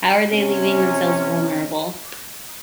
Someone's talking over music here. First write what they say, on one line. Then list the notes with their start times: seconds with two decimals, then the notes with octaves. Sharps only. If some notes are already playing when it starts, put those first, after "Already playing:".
How they are leaving themselves vulnerable.
0.32 C3 C#4